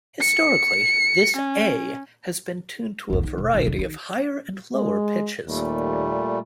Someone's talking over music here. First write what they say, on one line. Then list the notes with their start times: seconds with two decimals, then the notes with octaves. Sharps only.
Historically, this A has been tuned to a variety of higher and lower pitches.
0.21 C#7
1.36 C#4
3.10 A#1 E2
3.23 D#3
3.38 E1
3.54 B1 C#3
3.67 D#2 C#4
3.79 D#3
4.75 G#3
5.46 D#2 A#2 G3 A3